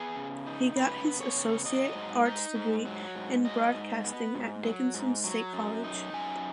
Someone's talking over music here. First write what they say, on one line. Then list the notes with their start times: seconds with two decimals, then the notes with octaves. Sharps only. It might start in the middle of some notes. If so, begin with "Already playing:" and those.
He got his Associate Arts degree in broadcasting at Dickinson State College.
Already playing: B3 G#4
0.16 C#3
0.46 D#4
0.76 C#3 B4
1.06 B3
1.21 C#5
1.36 C#3
1.66 F#3 D#5
1.95 G#2
2.25 D#4
2.55 G#2
2.85 F#3
3.15 G#2
3.45 F#3 D#5
3.75 G#2
4.05 B3
4.35 G#2
4.64 F#3
4.94 G#2
5.24 F#3
5.53 F#2
5.84 D#4
6.13 F#2 G#5